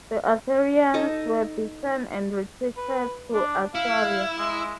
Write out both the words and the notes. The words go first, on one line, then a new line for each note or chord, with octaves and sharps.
The Assyrians were beaten and retreated to Assyria.
D#4 A4 D#5 A5
B4
D4
E4 F5
G#3